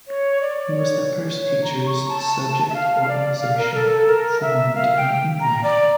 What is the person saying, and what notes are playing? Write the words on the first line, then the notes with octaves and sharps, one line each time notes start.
It was the first teachers' subject organisation formed in England.
C#5
D5
C#5
C#5
A#5
C#6
A5
E5
F5
D5
F5
A#4
A4
A4
A#4
E5
F5
G5
A#5
D5